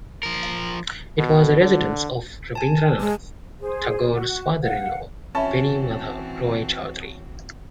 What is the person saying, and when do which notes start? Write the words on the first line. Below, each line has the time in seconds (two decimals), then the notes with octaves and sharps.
It was the residence of Rabindranath Tagore's father-in-law; Beni Madhab Roy Chowdhury.
0.23 F3 A#4
1.18 B2
1.61 D3
2.55 G#5 A5
3.00 G#3
3.61 G#4 C5
4.14 F#4
4.62 F5 F#5
5.35 E3 C4 C#4 F#4 E5 A5 B5 C#6